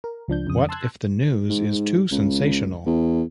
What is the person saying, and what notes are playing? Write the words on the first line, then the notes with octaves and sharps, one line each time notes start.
What if the news is too sensational?
A#4
C#2 F3 D4 G6
F2 C#3 D#6
A5 C6 E6 F#6 G#6
G#2
C#2
E2